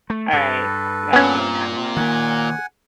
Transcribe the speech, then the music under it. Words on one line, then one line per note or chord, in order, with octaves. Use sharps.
Alright, I got you on that one.
A3
G2 A4 B4
A#2 B3 C#4
D#3 A#3 F#5 G#5